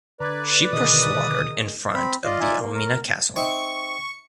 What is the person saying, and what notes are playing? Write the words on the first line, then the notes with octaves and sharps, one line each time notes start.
Sheep are slaughtered in front of the Elmina castle.
D3 B4 D5 A#5 G#6
B2 D3 D#3 G#4 A#4 D#5 D#6
C4 B5
F4 D5 D#5 F5
D#4 F4 D5 E5 G#5
A#3
A#4
C4 D#4 E5 C#6